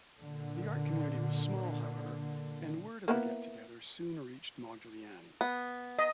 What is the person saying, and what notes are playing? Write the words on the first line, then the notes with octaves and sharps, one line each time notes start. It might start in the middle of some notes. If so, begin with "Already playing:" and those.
The art community was small, however, and word of the get-together soon reached Modigliani.
A#2 D3
A#3 B3 E4
B3
D#5